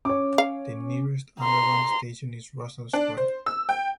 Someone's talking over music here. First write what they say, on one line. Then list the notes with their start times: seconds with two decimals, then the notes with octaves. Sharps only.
The nearest Underground station is Russell Square.
0.05 C#4 C#5 D6
0.38 F5
1.41 A#5 C6
2.93 D4
3.17 C5
3.46 E6
3.69 G5